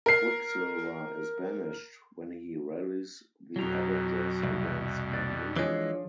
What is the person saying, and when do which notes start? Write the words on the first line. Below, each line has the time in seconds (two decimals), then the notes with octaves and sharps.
Quicksilver is banished when he rallies the Avengers against Magneto.
0.06 A#4 C7
3.56 F2 B2 F#3 A#5
4.43 C2
5.13 D5
5.56 E3 F3 G#3 D4 F4 G#4 C#5